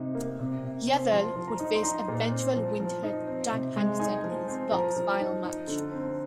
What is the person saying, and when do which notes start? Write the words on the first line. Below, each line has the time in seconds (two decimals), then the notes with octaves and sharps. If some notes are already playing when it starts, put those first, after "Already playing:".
Yvel would face eventual winner Dan Henderson in his block's final match.
Already playing: C3 D#4
0.15 A#3
0.39 C3
0.63 C3
0.87 C4
1.11 F3 C6
1.36 F3
1.48 A#5
1.59 D#4
1.75 C6
1.83 D#4 A#5
2.08 A#2
2.31 C4
2.56 F3
2.80 F3
3.03 D#4
3.27 C4
3.52 C3
3.76 G#3
3.99 D#4 G#5
4.24 F3
4.48 C4
4.72 F3 A#5
4.96 F3
5.19 D#4
5.43 D#4
5.67 D3
5.91 C4